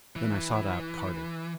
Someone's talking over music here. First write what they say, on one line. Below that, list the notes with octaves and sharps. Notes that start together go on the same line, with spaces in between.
Then I sought out Carter.
E3